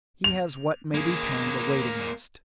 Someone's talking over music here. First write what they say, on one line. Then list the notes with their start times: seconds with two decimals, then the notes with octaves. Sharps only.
He has what may be termed a waiting-list.
0.24 F7
0.94 A#3 G#4